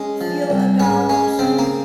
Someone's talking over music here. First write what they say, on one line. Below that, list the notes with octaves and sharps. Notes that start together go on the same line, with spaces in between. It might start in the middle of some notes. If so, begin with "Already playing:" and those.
feel about
Already playing: G#3 C#4
F3
C2
G#2 C#4 C#5
G#3 C#4 C#5
C#3 C4 C5
A#3 A#4